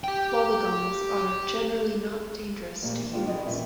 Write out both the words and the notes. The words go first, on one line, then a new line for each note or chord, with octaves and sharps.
Wobbegongs are generally not dangerous to humans.
G4 G5
A#2 G3 A3 A#3 F5
E3 D4
G#2 D#3 G#3 D4 F4 B4
E4 G#4 B4 D5 D#5
A#2 E3 G3 C#4 F4 E5